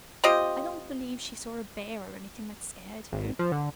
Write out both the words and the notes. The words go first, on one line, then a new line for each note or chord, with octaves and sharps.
I don't believe she saw a bear or anything that scared her.
C4 F4 G4 D#5
G#1
F3
D3